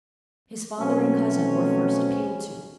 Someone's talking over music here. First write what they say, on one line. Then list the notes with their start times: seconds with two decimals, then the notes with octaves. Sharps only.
His father and cousin were first appealed to.
0.79 B2 F#3 A3 C4 C#4